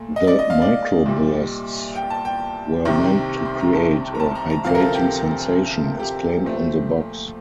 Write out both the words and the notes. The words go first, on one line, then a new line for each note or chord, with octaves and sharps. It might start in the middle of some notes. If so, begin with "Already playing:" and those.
The "micro-bursts" were meant to create "a hydrating sensation", as claimed on the box.
Already playing: A#2 A3
D#5
D5
D#5
F5
D5
C2 A#2 G3
G5
A5
G5
C2 C3 D#3 G3
C6
A#5
A5
A#5
A5
A#5
A#5
D2 C3 F3 F5
A#4
A4
G4
G4
A#2 F3 A3 C4